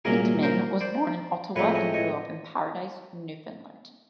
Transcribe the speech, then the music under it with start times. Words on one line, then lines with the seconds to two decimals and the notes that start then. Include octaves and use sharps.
Hyndman was born in Ottawa and grew up in Paradise, Newfoundland.
0.05 C2 A#2 F#3 A#3 C#4 G#4 A#4
0.43 A#4 C5
0.81 C5 D5
1.56 A2 F3 G#3 C4 B4 C#5
1.75 C#5 D#5
1.94 C#5 D#5